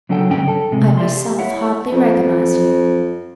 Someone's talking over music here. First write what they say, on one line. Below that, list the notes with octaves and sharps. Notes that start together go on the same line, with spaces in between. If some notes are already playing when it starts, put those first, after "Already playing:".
I myself hardly recognised you.
C#3 F#3 D4 A4 F#5 G5
G2 D3 C#4 G5
A4
C3 G#3
G4 D5 E5 C6
E4 C#5 F#5
F2